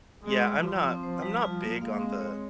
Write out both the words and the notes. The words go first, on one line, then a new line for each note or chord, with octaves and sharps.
yeah, I'm not I'm not big on the,
G#3 G#4
G3
F3 F4
C4
C5
G3
F4
A#3
G#3 F5
C4
C#5